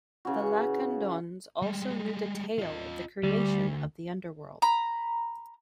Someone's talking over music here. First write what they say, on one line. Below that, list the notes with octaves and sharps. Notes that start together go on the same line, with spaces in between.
The Lacandons also knew the tale of the creation of the Underworld.
C#3 E3 F#4
G3 G#3
F4 D#5
D2 G3
A#5 B5